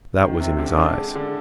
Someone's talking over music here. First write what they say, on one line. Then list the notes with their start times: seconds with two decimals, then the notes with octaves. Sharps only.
That was in his eyes.
0.21 D#3
0.40 C3
0.58 D3
0.77 D4
0.97 G#3
1.15 D3